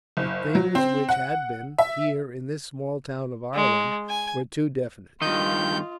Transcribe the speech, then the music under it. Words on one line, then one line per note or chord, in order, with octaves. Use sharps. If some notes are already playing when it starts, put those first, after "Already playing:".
The things which had been, here, in this small town of Ireland, were too definite.
F#1
F#3
C4
F#5
E5
G#3
G#5
G2 D#3 F4 D#5 G6